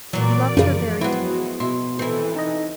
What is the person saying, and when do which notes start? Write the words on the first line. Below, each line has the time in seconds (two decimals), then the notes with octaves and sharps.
He loved her very dearly.
0.13 A#2 E3 F#3 F#4 A#4 D5
0.57 F#2 C#3 F3
1.01 F#3 G#3 B3 C4 E4 F#4
1.60 B2 E4 C6
1.99 E3 C4 E4 A4
2.36 D#4 D#5